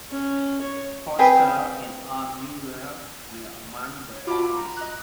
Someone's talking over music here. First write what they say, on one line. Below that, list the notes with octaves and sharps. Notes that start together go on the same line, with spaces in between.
Foster and R. Murrell were among the founders.
C#4
C#5
C4 G#4 B4 G5
C#5
F4 F#4 B5 D6
A#5
D#5 F#6